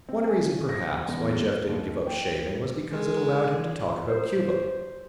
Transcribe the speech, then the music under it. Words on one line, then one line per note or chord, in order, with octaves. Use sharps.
One reason, perhaps, why Jeff didn't give up shaving was because it allowed him to talk about Cuba.
C4
G#5
A#6
E2
A#3
D#2
G5
G#3
C5